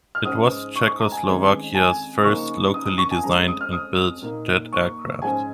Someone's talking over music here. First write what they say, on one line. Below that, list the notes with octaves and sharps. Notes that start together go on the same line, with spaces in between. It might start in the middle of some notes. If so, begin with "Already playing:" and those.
It was Czechoslovakia's first locally designed and built jet aircraft.
F6
G#2 F3 C#4 D#6
C#6
C#6
A#5
G#5
F2 D#3 G#3 C#4
G#5
C#2 C#3 F3 A#3 D#4 C#6
D#6
D#6
C#6
G#5
F2 F3 G#3 C#4 A#5
D#6
F6
D#6
A#2 A#3 D#4
C#6
G#2 F3 C#4 G#5